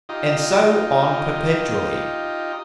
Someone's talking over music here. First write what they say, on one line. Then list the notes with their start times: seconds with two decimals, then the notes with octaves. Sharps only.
And so on perpetually.
0.09 D#4 F4 G4 D#5